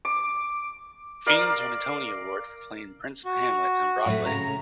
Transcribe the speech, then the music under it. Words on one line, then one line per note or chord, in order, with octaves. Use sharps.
Fiennes won a Tony Award for playing Prince Hamlet on Broadway.
D6
A#4 D5 F5
F#4
A2 A3
C#3 A#5